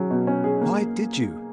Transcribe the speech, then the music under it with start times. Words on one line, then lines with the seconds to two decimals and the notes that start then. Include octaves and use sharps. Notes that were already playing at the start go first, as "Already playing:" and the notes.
"Why did you?"
Already playing: F#3 C#4 G#4
0.11 B2
0.27 C#4
0.44 G#4
0.61 A#3